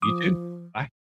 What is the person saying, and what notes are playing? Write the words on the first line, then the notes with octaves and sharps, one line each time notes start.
you too, bye.
F3 D6 D#6